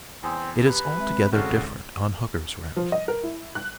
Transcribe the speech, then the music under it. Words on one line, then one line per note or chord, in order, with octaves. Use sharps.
It is altogether different on Hooker's ranch.
E2 C4 G#5 D#6
G4 B4
G#3 C4 E5
G#1 E2 C#3 F#4 A4 F6
F3
D#5
A#4
E4
F#6